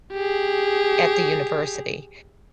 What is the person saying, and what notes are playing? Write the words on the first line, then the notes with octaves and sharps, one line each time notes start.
at the university,
G4 G#4